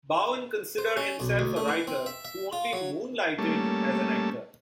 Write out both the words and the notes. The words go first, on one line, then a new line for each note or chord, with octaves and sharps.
Bowen considered himself a writer who only moonlighted as an actor.
C5
C#4
B1
D2
A3
E3
C4
E5
E5
F4
F#3
G3 A3 A#3 C#4 A5